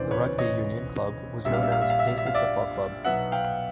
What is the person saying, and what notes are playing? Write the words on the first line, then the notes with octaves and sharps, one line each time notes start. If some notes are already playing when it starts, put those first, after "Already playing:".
The rugby union club was known as Paisley Football Club.
Already playing: E1 D2 C#3 E3 C5 D5
B4 C#5
C#5 D#5
A#1 A#2 G3 E5
F5
E5
F5
E5
F5
E5
F5
E5
F5
D5 E5
B1 B2 F#3 B3 E5 F#5
F5 G5